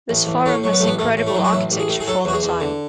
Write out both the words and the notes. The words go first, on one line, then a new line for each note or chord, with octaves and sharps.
This forum has incredible architecture for the time.
A1
A1
A2 C#4
F#3
B3
A1 A3
B3
A1 A3
A2
A3
F#3
F#4
A1 E4
A1
G#4
A2
G#4
F#3 A4
E2 F#4
G#4
E2
D3